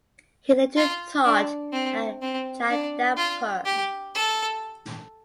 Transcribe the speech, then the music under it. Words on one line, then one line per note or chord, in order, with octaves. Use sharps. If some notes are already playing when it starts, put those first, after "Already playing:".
He later taught at Jadavpur.
F4
D4
C4
C4
D4
F4
G4
A4